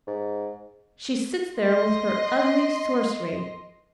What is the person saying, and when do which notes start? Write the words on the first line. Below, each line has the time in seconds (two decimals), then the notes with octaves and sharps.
She sits there with her ugly sorcery.
0.08 G#2
1.59 D#5 C6